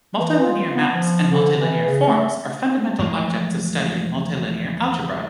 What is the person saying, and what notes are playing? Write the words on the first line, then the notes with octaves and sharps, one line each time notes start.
Multilinear maps and multilinear forms are fundamental objects of study in multilinear algebra.
E3
F4
B3
F3
D3
E3
C#3
A3
E2 A2 F3 G#3